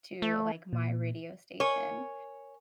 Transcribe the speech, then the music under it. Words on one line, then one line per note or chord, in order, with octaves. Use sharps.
to, like, my radio station,
A3
A#2
A#4 C#5 G#5 C#6